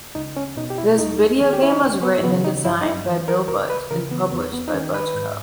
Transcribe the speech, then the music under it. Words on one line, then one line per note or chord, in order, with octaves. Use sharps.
This video game was written and designed by Bill Budge and published by BudgeCo.
C#2 D#4
C#4
B2 D#4
G4
E4
E4
D#2 D#4
D#3 G#4
G4
E4
D#4
C#2 C#4
B3
C#3 E3 B3
D#4
G2 E4
D#4
E4
E3
A#4
C#2 A#4
B4
C#3 E3 A#4
B3
E2 B3
B3
D#4
D#3 C#4
B4
G#2